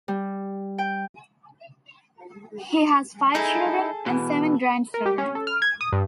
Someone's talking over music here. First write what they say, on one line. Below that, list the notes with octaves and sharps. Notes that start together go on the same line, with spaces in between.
He has five children, and seven grandchildren.
G3
G5
D#4 E4 G#4 A4
B2 E3
A#4
G4
C#4
A4
F6
G#6
D#6
G2